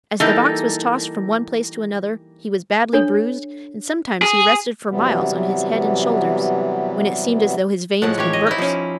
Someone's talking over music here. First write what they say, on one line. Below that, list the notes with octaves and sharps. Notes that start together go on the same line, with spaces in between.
As the box was tossed from one place to another, he was badly bruised, and sometimes he rested for miles on his head and shoulders, when it seemed as though his veins would burst.
E3 G3 A#3 D#4 A4
D4 A4 C#5
G#4
C3 E3 F#3 G3 B3
A2 F3 G#3 F#5
E3 G4 C#5
D#5
D#4 E4
F3 C#4